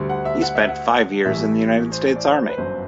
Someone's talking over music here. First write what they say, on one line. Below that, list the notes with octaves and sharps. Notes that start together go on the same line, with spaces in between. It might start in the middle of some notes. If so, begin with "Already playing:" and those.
He spent five years in the United States Army.
Already playing: D2 D3 G3
F#5
E5
F#5
E5
F#5
A1 A2 G3 E5
C5
D5
C5
B4
G1 F#2 D3 C5